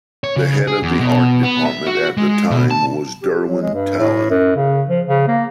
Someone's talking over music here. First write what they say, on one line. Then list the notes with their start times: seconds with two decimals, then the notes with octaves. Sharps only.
The head of the art department at the time was Durwin Talon.
0.24 C#5
0.36 C#3
0.67 G#4
0.83 E2
1.00 B2
1.43 B3
1.66 E5
1.87 F#4
2.17 G#3
2.51 B2
2.71 A5
3.22 G4
3.48 F#3
3.61 G#3
3.74 G2
3.99 A2
4.30 F#2
4.56 C#3
4.89 F3
5.08 C#3
5.28 A#3